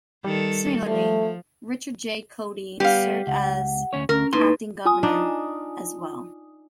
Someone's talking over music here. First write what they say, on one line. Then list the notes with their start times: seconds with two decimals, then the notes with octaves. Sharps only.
Similarly, Richard J. Codey served as acting governor as well.
0.24 D#3 G3 A4
0.87 F3 A3
2.80 G3 B3 G4 F5
3.27 C#2 F#5
3.93 D2 C#4 C#5
4.09 D2 C#4 A#4
4.33 A2 A#3 D#4 B4 C6
4.85 F4 G#5 D#6
5.03 D4 D#4